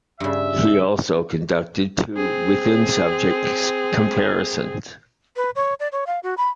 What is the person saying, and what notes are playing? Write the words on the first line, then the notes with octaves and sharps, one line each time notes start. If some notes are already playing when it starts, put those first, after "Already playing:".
He also conducted two within subjects comparisons.
G2 C#3 E5
C4 G#4
B4
C#5
D5
C#5
F5
F#4
B5